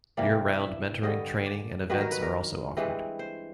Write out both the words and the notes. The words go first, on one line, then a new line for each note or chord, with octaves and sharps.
Year-round mentoring, training and events are also offered.
C3 E3 G3 A#3 D5
E5
G2 D3 G3 D#5
D5
G2 D#3 F#3 B4
A#4
B4
A#4
G2 E3 G#3 C4 B4
C5